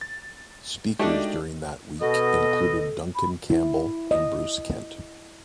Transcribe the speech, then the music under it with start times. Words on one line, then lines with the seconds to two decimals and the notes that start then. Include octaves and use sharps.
Speakers during that week included Duncan Campbell and Bruce Kent.
0.01 A6
0.99 G#3 A3 D4 D#4 F#4 G4 D5 D#5
2.01 B2 A4 D#5
3.15 B5
3.50 E4
4.11 D#5